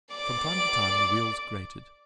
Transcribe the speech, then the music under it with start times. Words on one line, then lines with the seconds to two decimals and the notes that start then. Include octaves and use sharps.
From time to time the wheels grated.
0.15 D5 D6